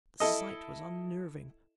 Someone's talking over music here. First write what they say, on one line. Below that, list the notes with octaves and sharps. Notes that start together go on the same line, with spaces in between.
The sight was unnerving.
E4 A4 D#5